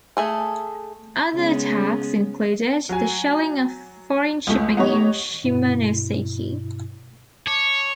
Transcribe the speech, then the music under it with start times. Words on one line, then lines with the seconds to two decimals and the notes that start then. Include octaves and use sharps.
Other attacks included the shelling of foreign shipping in Shimonoseki.
0.17 A3 G#4 A4
1.35 C#3 G#3 B3
2.89 F#3 G#5
4.47 C#2 A3
4.77 B3 D#4 G4 C#5
5.44 G2 B2 E4
7.47 C#5 A5 D6